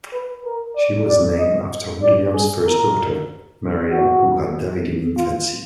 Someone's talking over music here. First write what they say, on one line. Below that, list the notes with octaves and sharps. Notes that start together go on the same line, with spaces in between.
She was named after William's first daughter, Maria, who had died in infancy.
B4
A#4
D5
D5
D#5
D5
G#4
A#4
F#4
F4